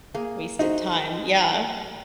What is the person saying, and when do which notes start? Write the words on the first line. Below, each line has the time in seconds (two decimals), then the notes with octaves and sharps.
wasted time yeah
0.15 A#3 G#4
0.59 D#4 F#4 G#4 C5